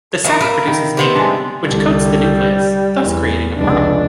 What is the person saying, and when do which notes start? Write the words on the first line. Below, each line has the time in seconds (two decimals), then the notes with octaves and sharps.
The sack produces nacre, which coats the nucleus, thus creating a pearl.
0.24 D#3 E4 F#4
0.41 A#4 B4 E5 F5
0.68 D#3
0.97 C3 B3 C4
1.15 G#3 D4
1.65 C2 D3 G3
3.02 E2
3.57 F1 C#2 D4